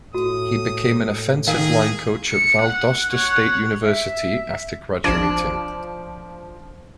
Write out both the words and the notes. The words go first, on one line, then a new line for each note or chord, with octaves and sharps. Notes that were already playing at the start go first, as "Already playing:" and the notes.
He became an offensive line coach at Valdosta State University after graduating.
A2 F#4 D#6
D#3 G#4 A#4 F5
C#7
F#5
C#5 F#5
E5
A1 F3 D4 G#6